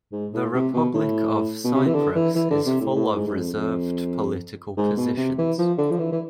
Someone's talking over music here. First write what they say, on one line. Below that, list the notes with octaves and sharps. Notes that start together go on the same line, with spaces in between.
The Republic of Cyprus is full of reserved political positions.
G#2
A2
C3
B2
A2
B2
C3
E3
D3
E3
E3
D3
C3
A2
A2
G#2
G#2
F2
F2
G#2
B2
C3
E3
F3
D3
F3
E3
E3